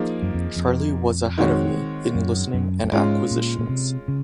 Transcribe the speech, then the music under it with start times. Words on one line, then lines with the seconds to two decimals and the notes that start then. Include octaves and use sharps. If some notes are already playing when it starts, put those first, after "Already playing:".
Charlie was ahead of me in listening and acquisitions.
Already playing: F3 A#3 D#4 G#4
0.22 F#2
0.34 F2
0.56 F2
1.38 D#3 G#3 C4 F#4 C#5
2.15 F#2
2.54 F#2
2.84 F#2
2.92 G#2 G#3 C#4 F4
3.31 A#2
3.59 A#2
3.69 C3
4.08 C#3